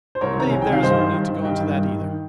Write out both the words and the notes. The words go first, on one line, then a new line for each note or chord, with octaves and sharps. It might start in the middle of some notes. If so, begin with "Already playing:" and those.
I believe there is no need to go into that either.
C5
C2 A#4 C#5
C3 D#3 A#5
C2 G#5
G5
C3 D#3 F5
G2 C5 D#5
D#3
G2
D#3
G2 D#5 G5
D#3
G2
D#3